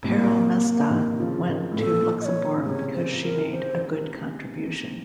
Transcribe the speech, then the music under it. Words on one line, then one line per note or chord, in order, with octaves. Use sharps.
Perle Mesta went to Luxembourg because she made a good contribution.
A2 C3 A#3
C3 D#3
C#3 F3
C3 D#3
A2
A#2 A4
D#5
C#5
C#3
A2 C3 C#5
C5
A#4
C5